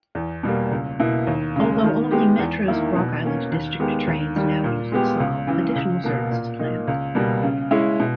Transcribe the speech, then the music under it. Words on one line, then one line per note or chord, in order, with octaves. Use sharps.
Although only Metra's Rock Island District trains now use LaSalle, additional service is planned.
E2
B2 G3 A#3
C#2
B2 A#3 E4
D#2
C#3 G#3
D#3
G#3 B3 G4
E2
D#3 A#3 E4
B2
A#3 C#4
D#2
D#3 G#3 B3 G4
D#2
D#3 G3
A#2
G#3 B3 G4
C#2
C#3 E3
C#2
B2 A#3
A#2
A#3 D#4
C#2
B2 G3 A#3
C#3
G#3 C#4 E4
B2